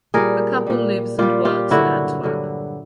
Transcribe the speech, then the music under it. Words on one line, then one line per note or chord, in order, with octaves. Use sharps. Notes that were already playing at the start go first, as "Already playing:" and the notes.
The couple lives and works in Antwerp.
A#2 G3 G#4 A#4
A#2 G3
A#2 G3 F4 G4
F4 G4
G2 D3 F#3 E4 F#4
G2 D3 F#3